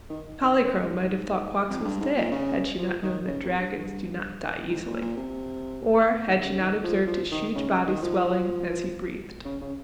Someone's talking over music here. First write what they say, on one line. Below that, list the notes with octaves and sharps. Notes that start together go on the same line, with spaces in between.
Polychrome might have thought Quox was dead had she not known that dragons do not die easily or had she not observed his huge body swelling as he breathed.
D#3
D#3
C#3
C3
G#2
F2
G2
G#2
A#2
C#3
F3
D#3
C#3
C3
G2
G2
G#2
A#2
A#2
C3
D#3
C#3
D#3
F3
F3
D#3
C#3
C#3
D#3
F3
C#3
C#3